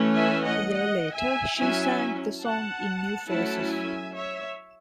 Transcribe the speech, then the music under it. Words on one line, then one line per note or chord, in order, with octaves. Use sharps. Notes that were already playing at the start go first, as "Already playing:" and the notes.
A year later, she sang the song in "New Faces".
Already playing: E3 A3 C#4
E5 G#5
D#5 F#5
D#5 F#5
E5 G#5
F#3 C#4 E4 E5 G#5
F#5 A5
F#3 A3 C#4 E4 F#5 A5
E5 G#5
C#5 E5